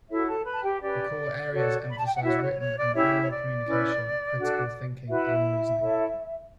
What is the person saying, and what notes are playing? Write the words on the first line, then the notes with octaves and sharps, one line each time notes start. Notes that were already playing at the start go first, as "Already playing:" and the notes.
The core areas emphasize written and oral communication, critical thinking and reasoning.
E4 F#4 A4 C#5 E5
A4 A5
B4 B5
A5
G4 G5
C#4 G4 B4 D5
F#4 A4 C#5
B5
A5
G5
F#5
E4 F#4 C#5 E5
D5
C#5
C#5
D5
C#4 E4 G4 C#5 E5
C#5
D5
C#4 E4 B4
D4 F#4 A4
E4 F#4 B4 E5
E4 A4 C#5